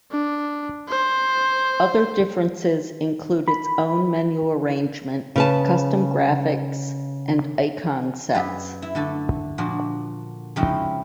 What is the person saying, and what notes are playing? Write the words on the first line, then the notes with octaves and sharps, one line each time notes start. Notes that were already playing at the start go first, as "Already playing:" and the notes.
Other differences include its own menu arrangement, custom graphics, and icon sets.
D4
C5
B5
C#3 B4 A5
F#2 G#4 B4
E4
D3 A3 A4
A#2 F3 D4 F#4
C#3 F3 G#3 C4 D#4 E4